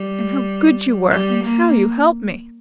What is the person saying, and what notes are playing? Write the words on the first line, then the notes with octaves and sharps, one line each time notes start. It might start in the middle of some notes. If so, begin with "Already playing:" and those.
And how good you were, and how you helped me!
Already playing: G3
G3
A#3